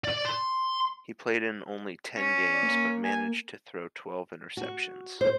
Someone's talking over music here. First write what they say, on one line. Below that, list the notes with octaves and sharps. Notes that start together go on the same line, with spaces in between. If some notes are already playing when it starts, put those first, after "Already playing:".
He played in only ten games but managed to throw twelve interceptions.
D5
C6
C#4
D5
A#3
G#5
F#4
C5